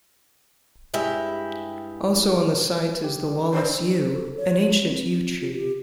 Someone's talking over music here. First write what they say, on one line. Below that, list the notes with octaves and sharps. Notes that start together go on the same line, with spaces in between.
Also on the site is the Wallace Yew, an ancient Yew Tree.
G2 G#3 E4 G4 E5
G4
D4 C5
C5
A4
C#5
C#5
C4
F4
G4